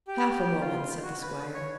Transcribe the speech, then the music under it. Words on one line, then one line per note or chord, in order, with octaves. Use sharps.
"Half a moment," said the squire.
G4
F4
F#4
B4
C#5